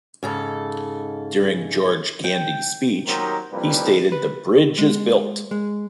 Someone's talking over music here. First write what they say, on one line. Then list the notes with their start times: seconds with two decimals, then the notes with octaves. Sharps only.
During George Gandy's speech, he stated; The bridge is built!
0.23 G#2 C#3 A4
2.24 G5
3.07 D#2 F#3 D#4 G4 A#4 C5
3.52 C2 F2 F3 G3 A#3 B4
4.12 B4
4.78 G#3
5.51 G#3